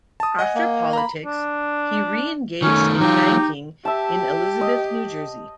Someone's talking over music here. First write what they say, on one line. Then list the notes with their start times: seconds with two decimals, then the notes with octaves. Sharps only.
After politics, he re-engaged in banking in Elizabeth, New Jersey.
0.20 A5 D#6
0.39 D#5 F#5 G#5
0.55 A#3
0.93 A#5 B5
1.25 D4
2.62 D#3 A3 C#4
3.00 F#3 D#4 F4 G4
3.85 G4 E5 A5
4.61 D#5